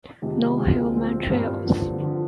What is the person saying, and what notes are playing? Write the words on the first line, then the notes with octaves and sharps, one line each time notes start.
No human trials.
F2 C3 D#3 G#3
D2 D3 G#3 C4 F4
A#2 F3 C4 F4
G2 F3 A#3 F4
F2 D3 F3
D3 F3